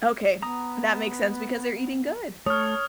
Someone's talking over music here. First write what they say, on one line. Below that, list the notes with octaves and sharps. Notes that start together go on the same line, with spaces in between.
Okay, that makes sense because they're eating good.
B3 A#5 D#6
A3 C#5 D#6 F6